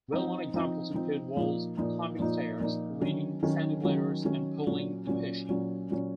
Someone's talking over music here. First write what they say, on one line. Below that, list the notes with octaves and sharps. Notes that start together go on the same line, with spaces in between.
Well-known examples include "walls", "climbing stairs", "leaning", "descending ladders", and "pulling and pushing".
F3 C4 D#4
F3 C4 D#4
F3 C4 D#4
A#2 F3 A#3 D#4
A#2 F3 A#3 D#4
A#2 F3 A#3 D#4
A#2 F3 A#3 D#4
D#3 F#3 C#4
D#3 F#3 C#4
D#3 F#3 C#4
D#3 F#3 C#4
A#2 F#3 C#4
A#2 F#3 C#4
A#2 F#3 C#4
A#2 F#3 C#4